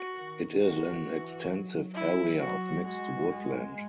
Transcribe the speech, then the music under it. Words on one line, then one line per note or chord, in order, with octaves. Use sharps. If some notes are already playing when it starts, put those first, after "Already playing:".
It is an extensive area of mixed woodland.
Already playing: F#4
D#3
F#4
E3
F#3
E4
F#3 F#4
G#3 F#4
G#3